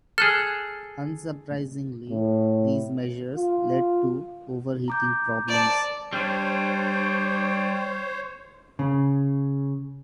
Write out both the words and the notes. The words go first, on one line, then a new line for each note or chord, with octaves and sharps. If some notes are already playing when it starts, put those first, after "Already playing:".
Unsurprisingly, these measures led to overheating problems.
G#4 A4 F6 F#6
A2
F4
A#5 D6 G6
D5 A5
G3 D4 C5 C#5
C#3